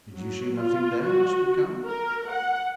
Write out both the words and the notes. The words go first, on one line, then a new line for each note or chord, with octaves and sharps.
"Did you see nothing there?" asked the count.
F#3
F4
F#4
A#4
F#5